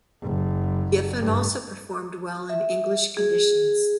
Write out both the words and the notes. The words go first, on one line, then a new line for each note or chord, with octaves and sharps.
Giffen also performed well in English conditions.
F#1
G2
E5
G#4